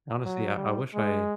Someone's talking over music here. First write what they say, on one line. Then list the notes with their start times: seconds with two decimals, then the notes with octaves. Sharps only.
Honestly, I I wish I
0.25 F#3
0.56 G3
0.94 G#3